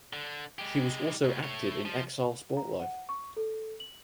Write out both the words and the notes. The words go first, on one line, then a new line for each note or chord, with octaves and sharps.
He was also active in exile sport life.
D3
G#3 G4
D2 G#2
A3 C#5
F3
A#5
F#5
C#6
A4
F#7